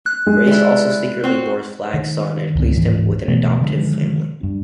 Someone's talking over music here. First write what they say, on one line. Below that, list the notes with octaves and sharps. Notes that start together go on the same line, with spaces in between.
Grace also secretly bore Flag's son and placed him with an adoptive family.
F#6
G#3
G3 E4
C4 F#4
D#3
C#2 G#2 D#3 C4
D1 D#2 G#2 E3
B2 E3 A3 B3
D3 D#3 F3 G#3
G2